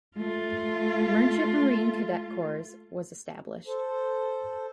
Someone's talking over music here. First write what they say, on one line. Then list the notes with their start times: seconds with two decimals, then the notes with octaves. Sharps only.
Merchant Marine Cadet Corps was established.
0.17 A3 F4
3.67 A4 C5